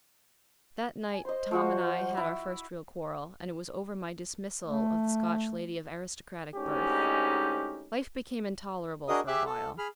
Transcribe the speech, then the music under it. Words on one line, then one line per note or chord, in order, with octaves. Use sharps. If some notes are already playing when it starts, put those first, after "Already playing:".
That night Tom and I had our first real quarrel, and it was over my dismissal of the Scotch lady of aristocratic birth. Life became intolerable for a while.
G#5
C5 D#5 C6
F3 F#4 F#5
E4
A3
D2 G#2 C#4 D#4 G4
D4 F#4 G#4 A#4 D#5 D#6
G4 G#4 E5 D6 E6 F#6
A4
G#4 B5 F6